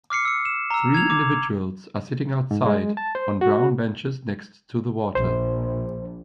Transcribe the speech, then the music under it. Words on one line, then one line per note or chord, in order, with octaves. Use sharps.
Three individuals are sitting outside on brown benches next to the water.
D6 F6 C7 C#7
E6 C#7
E7
A#5 E6
G#6 F7
D6
G#2
G#3
A5
C5
F#4
A#1 C5